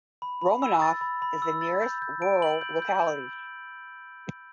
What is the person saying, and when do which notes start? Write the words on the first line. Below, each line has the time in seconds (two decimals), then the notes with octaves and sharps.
Romanov is the nearest rural locality.
0.22 B5
0.42 B5
0.62 E6
0.82 A6
1.01 B5
1.22 B5
1.42 E6
1.61 A6
1.82 G6
2.02 G6
2.22 D7
2.42 F#7
2.61 G6
2.82 G6